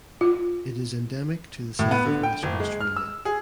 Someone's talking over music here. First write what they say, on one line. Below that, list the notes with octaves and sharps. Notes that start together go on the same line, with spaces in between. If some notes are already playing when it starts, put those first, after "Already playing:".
It is endemic to the south of Western Australia.
F4
A2
B3
D3
G5
F#1
G#3
F6
E6
G#4